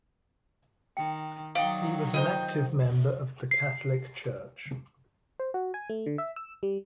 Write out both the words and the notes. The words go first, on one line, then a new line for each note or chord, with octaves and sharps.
He was an active member of the Catholic church.
D#3 G5
D#3 F#3 D5 D#5 F5 G5
F4 C5 D#5 G5
C7
C5
F#4
G#5
A3
D3
E5
E6
G3